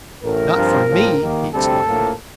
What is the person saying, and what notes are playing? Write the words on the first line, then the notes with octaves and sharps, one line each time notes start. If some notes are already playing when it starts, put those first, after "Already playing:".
"Not from me!" he exclaimed.
A1 A2 A3 A#4
G2 F3 C4
A#1 A2 F3 C4
D#2 D#3 A#3
D2 C3 G3 C4 A4
A#1 A2 F3 A#3